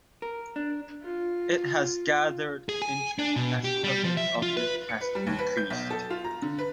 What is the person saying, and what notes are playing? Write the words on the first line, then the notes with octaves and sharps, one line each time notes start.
It has gathered interest as coverage of it has increased.
A#4
D4
F4
G#4
G#5
D4
B2
G4
G3
F3
E5
F4
B4
C#7
B4
G3
D#2
B4
G6
B1
A4
F4
A#5
D3
B4